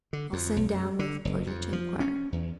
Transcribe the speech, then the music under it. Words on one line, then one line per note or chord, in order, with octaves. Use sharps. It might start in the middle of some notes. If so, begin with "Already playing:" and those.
I'll send down with pleasure to enquire.'
D3
F2
B1
F#2
D3
F#1
F2
F3
C#4
E2